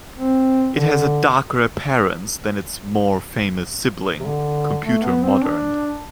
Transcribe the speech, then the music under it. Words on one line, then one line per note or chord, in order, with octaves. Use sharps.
It has a darker appearance than its more famous sibling, Computer Modern.
C4
D3
C3
D3
A3
B3
C4
D4